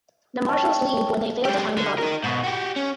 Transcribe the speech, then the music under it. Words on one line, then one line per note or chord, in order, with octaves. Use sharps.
The Marshals leave when they fail to find Bobby.
C#5 G5 A5
G#3 G4
D3
D#4 A#4
G#2 B2
F#4 G4
C#4